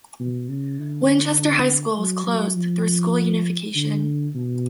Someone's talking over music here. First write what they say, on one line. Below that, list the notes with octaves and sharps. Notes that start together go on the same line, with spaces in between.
Winchester High School was closed through school unification.
B2
C#3
D3
F#3
F#3
F3
D3
B2